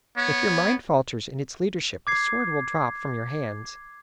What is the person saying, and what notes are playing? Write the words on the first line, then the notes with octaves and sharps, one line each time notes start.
If your mind falters in its leadership the sword will drop from your hands.
B3 C#5
D6 G#6 C7